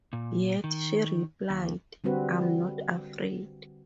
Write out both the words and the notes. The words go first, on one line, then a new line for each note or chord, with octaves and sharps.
Yet, she replied 'I'm not afraid.
A#2
D#3
D#2
D3 G3 C4 F#4 B4